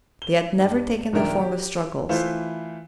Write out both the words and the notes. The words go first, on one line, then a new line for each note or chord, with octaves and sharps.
They had never taken the form of struggles.
G7
G2
A#1 D#3 D4 A#4 E5 G5
G4
E3 A3 E4 F4 C5